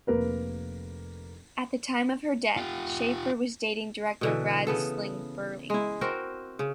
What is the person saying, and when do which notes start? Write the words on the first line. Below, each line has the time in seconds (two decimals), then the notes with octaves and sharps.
At the time of her death, Schaeffer was dating director Brad Silberling.
0.07 F1 A#3 A#4 B4
2.57 F4 G4
4.21 B2 D3 E3
4.67 C#3 B3 A4
5.70 G#3 E4
6.01 C4 F#4 A#4 C5
6.59 C#3